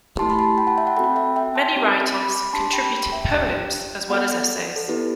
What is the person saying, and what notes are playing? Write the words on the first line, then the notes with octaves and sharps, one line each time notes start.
Many writers contributed poems as well as essays.
A3 E4 G4 A5 C6
B5
A5 C6
G5 B5
F#5 A5
E5 G5
F#5 A5
C4 F#4 A4 G5 B5
E5 G5
E5 G5
A5 C6
C4 G4
B5 D6
D4 G4 A5 C6
G5 B5
E5 G5
D4 G4
B3 F#4 A4 D5 F#5
A4
B3 E4 G4 B4